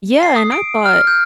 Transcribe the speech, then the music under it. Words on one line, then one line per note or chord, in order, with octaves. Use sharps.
Yeah, and I thought
C7
D#6
D7
F6
G6